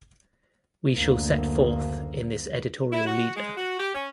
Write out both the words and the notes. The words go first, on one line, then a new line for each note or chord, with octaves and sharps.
We shall set forth in this editorial leader.
F#1 D2 D3 A#3
E4
F#4
G#3
F#4
G4
C#4